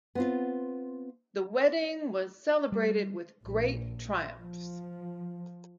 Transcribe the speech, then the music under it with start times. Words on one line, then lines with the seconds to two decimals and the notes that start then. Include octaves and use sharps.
The wedding was celebrated with "great triumphs".
0.15 B3 C4 F4
2.72 G3
3.44 A#1
4.38 F3